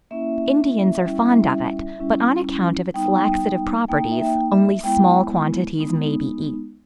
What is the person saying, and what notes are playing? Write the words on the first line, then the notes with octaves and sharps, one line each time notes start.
Indians are fond of it, but on account of its laxative properties only small quantities may be eaten.
A#3 C#4 E4 E5
G3 C#4 E4
G3 C#4 E4
G3 B3 D#4 G5
A#3 D#4 G5
E5
G5
E5
G#3 B3 E4 G5
G#3 B3 D#4